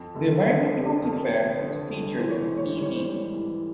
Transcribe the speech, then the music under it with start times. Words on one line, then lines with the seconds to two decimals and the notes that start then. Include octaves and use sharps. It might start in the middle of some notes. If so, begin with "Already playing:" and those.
The American county fair is featured in E. B.
Already playing: F2
0.15 F1 A4
0.44 D3
0.73 F1
0.79 G4
0.87 G#4
0.95 A4
1.02 F2 A#4
1.32 F1
1.56 B4
1.60 D3 C5
1.89 F1
2.18 E3 C5
2.30 C#5
2.44 G#2 C5
2.57 C#5
2.70 C5
2.76 G3
2.82 C#5
2.96 C5
3.05 G#2
3.34 E3